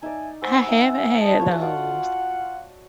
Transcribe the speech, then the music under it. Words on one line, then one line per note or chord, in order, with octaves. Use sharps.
I haven't had those.
D#4 D5 E5 G#5
C5 F#5 G#5 E6
D#4 D#5 E5
D#5 A5 D#6
E2 F4 C#5
F4 F#4 D5 D#5 F#5